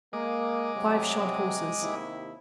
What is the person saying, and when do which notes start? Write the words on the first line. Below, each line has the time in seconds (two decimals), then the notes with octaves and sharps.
Five shod horses.
0.13 G#3 A#3 D#5 D6
0.75 C3 F#3
1.81 D#2 C3 E4